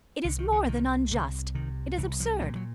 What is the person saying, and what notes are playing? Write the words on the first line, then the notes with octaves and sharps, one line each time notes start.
It is more than unjust--it is absurd!
C2 D3
D#3
D3
C3 D#3
C2 D3
C3 D#3
C2 E3
F3
A#2 G3
F#3